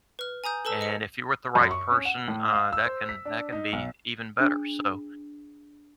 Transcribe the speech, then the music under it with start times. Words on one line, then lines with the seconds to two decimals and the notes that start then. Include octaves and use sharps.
and if you're with the right person, uh, that can that can be even better, so,
0.19 B4 F6
0.44 G#5 A#5 D#6 G6
0.65 A4 B4 A5 E6
0.81 D#5 C#7
1.55 F#2
1.71 C#6
1.91 C#4
2.05 F#5
2.28 A2
2.52 F5
2.73 E6
2.86 C5
3.09 B6
3.25 D4
3.52 D#4
3.73 B1
4.40 D4 G#4